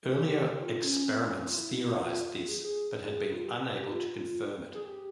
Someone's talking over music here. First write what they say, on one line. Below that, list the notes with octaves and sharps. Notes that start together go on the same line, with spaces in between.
Earlier experiments theorized this but had been unable to confirm it.
G4
F4
C#4
C4
E4
C#4
F4
E4
F4
G#4
G#4
G#4
F4
G4
F4
G#4
G4